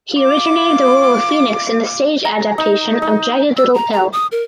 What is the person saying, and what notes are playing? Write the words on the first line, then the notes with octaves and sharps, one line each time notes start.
He originated the role of Phoenix in the stage adaptation of "Jagged Little Pill".
F4 D6
A#5
D#4
D#4
E6
A#5
A#5
D#6
A#4